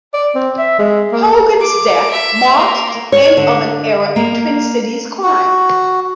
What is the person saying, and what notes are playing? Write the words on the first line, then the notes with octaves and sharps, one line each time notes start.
Hogan's death marked the end of an era in Twin Cities crime.
D5
C4
E5
G#3
A#3
D6
E5
A#3
C#5
D3
A#3
F#4